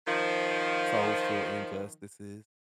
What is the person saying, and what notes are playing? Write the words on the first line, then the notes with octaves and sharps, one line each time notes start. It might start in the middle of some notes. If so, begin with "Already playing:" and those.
social injustices.
D#3 F3